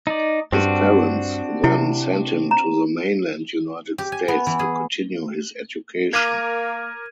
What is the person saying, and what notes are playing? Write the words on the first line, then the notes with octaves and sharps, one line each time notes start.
His parents then sent him to the mainland United States to continue his education.
D#4 D5
G2 C4 D4 F#4
C3 E4
A#5
G4
G#5
B3
E3
G#4
A#3 A#4 D6 F6 G#6 D#7